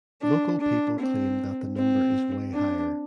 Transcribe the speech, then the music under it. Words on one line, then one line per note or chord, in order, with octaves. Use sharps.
Local people claim that the number is way higher.
D4
D4
C4
C4
D4